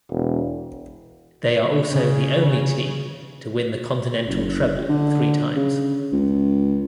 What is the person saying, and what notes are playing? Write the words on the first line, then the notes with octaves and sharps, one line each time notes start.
They are also the only team to win the continental treble three times.
E1
C#3
F#1
D3
C#3
C#2